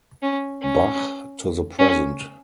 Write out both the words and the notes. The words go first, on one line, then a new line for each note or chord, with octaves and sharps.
Bach to the present.
C#4
C#4
C#4